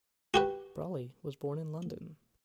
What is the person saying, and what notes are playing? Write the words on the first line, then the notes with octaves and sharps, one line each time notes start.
Brolly was born in London.
F#4 G4 B4